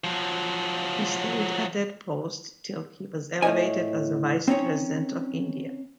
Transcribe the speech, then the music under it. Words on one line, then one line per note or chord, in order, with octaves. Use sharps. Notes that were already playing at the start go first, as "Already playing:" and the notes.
He stayed at that post till he was elevated as Vice-President of India.
F3 F#3
A2 E4 C#5 D#5 G#5
C4 C#4 D#4 C#5